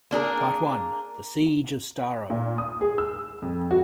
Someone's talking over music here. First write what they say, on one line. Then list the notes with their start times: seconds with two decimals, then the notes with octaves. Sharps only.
Part One", "The Siege of Starro!
0.11 A#3 D4 G#4 A#4
2.30 A#2
2.58 D#6
2.81 G#4
2.98 E6
3.42 F2
3.71 F#4